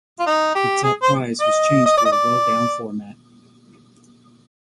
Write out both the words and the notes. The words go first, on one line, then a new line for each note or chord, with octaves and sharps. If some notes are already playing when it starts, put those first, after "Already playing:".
The top prize was changed to a rolldown format.
F4
D#4
G4
G#4
C5
D#5
D#5
D5
D#5
D5